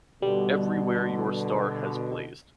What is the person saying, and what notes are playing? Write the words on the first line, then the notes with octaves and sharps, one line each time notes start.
Everywhere your star has blazed.
B2 D3 G3